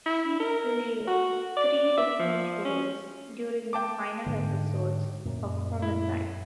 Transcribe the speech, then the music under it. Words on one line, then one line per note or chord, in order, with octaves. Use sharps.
She played three different roles during the final episodes of "Homicide".
E4
A#4
F#4
D5
E5
F3
C#4
G5 A5 D6
G#2 D3
F#2 A#2
E4